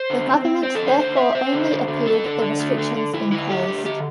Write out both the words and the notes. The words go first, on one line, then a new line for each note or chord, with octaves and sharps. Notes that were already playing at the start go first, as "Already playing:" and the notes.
The government therefore only appealed the restrictions imposed.
Already playing: C5
D3
C4
C4
C4 C5
A4
D3
C5
D3 C5
C4 E5
C4 C5
D3
D3
D3
C4 A4
D3
D3
A3
D3
D3
D3 E4
D3 E4
A3 G4
D3
D3 G4